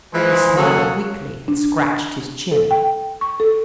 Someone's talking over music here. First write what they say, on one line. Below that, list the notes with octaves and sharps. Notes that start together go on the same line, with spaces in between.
He smiled weakly and scratched his chin.
E3 F3 G#3
F#3 A#3 C#4 F#4 G#4 A4
D4
A4
G5
C#6
A4